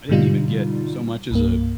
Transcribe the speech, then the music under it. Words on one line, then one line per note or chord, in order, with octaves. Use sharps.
I didn't even get so much as a,
G#2 B2 D3 G3 D#4 F4
C2 G2 A#3